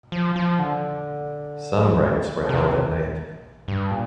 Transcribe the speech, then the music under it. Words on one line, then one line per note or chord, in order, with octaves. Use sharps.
Some rites were held at night.
F3
F3
D3
F3
C4
G3
A#3
C3
G2
A#2